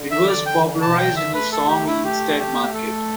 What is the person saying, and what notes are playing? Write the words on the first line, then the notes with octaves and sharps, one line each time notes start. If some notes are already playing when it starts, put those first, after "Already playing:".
It was popularized in the song Linstead Market.
Already playing: D3
E5
D5
G5
D3
A5
B2
G5
D3
E5
A3 B4
A3 A4
G4
A3
E4
G4
G4
A4